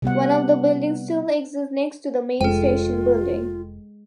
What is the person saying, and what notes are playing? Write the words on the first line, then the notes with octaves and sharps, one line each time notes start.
One of the buildings still exist next to the main station building.
C3 G3 B3 F#5
F1 G#3 F4 A4 G5